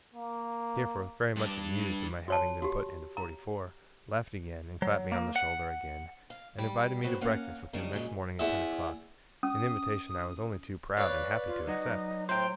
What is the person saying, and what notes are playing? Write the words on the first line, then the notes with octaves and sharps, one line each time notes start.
Steerforth, very much amused at my having been put into forty-four, laughed again, and clapped me on the shoulder again, and invited me to breakfast with him next morning at ten o'clock--an invitation I was only too proud and happy to accept.
A#3
G2 D4
F#4 C#5 A5
F#4 G4
A#5
F#3
A#3
F#5
F5
G3
A#2 F#3 B3 C4
A#3 C#4 F5 F#5 A#5
C#3 G3 D4 D#4
F#2 A#2 G#3
E2 E5
C#4 D#6
B4 C#5 D5 F5
F4
F#3 D#4 F#4
A2 C5 G5 A#5